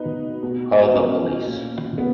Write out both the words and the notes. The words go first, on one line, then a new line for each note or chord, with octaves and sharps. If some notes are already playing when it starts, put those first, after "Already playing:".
Call the police.
Already playing: B2 D#4 B4
B2
C#4
A#2
B3